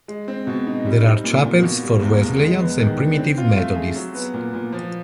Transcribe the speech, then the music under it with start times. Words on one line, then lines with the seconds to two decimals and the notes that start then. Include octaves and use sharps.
There are chapels for Wesleyans and Primitive Methodists.
0.08 G#3
0.28 C4
0.47 B2
0.67 D#4
0.86 G3
1.06 C4
1.24 A#2
1.44 A#2
1.63 B2
1.83 G3
2.02 E2
2.22 E2
2.41 G#3
2.60 B3
2.79 D#3
2.98 D4
3.18 C4
3.38 F4
3.57 A3
3.76 G#4
3.96 F#3
4.15 B3
4.34 A#2
4.54 A#2
4.73 F3